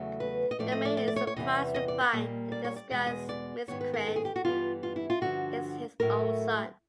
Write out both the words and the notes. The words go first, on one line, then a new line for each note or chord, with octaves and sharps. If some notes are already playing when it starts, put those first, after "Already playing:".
The Mayor is surprised to find that the disguised miscreant is his own son.
Already playing: E2 C#3 F#3 A3
B4
D#5
A2 F3 A3 D5
D#5
D5
D5
D5
C#5
C#5
E2 C3 E3 G3 B3 D#5
D#5
D5
D#5
A#2 G3 A#3
D5
C#5
D5
E2 B2 G#3 D#5
D#5
D5
G#2 D#3 G3 B3 C#5
B4
A#4
A4
G#4
G4
F#4
G2 E3 G3 B3 F4
F4
E4
F4
G2 D3 F3 F#4
A2 F#3 A3 A#4